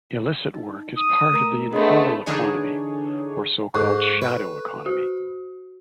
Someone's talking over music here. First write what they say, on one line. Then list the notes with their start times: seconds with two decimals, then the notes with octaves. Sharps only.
Illicit work is part of the informal economy or so called "shadow economy".
0.55 D#4
0.97 D#6
1.32 A3 A#4 A#5
1.73 A3 B3 D4 G#4 C#5 D#5 C6
2.26 D3 E3 D4 D#4 G#4 C#5
3.75 G#2 A4 C#6 F#6
4.22 B4
4.86 F#4